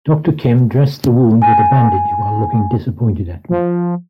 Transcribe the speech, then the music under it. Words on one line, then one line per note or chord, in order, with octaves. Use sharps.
Doctor Kim dressed the wound with a bandage while looking disappointed at me.
G#5
F3